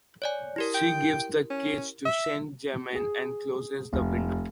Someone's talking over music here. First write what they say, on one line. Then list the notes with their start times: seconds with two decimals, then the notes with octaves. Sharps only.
She gives the cage to Saint-Germain and closes the window.
0.22 C#5 D5 G#5
0.56 E4 G4 A#4
0.74 G5
1.50 C#4
2.05 E5
2.95 G#4
3.93 F1